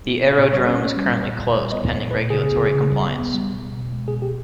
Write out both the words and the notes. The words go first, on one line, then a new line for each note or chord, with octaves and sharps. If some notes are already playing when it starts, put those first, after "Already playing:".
The aerodrome is currently closed pending regulatory compliance.
A#3
A#2
A#2
G3 C#5
C#4
C#4
G3
A#2
A#2
A#2
G3
B3 D#5
A#2
C#5
A#2
B4
A#2
C#3 G#4
B3
C#3
C#3
G3
B3
B3
G3
B2
B2
B2
G#3
B2 G#4
B2 G4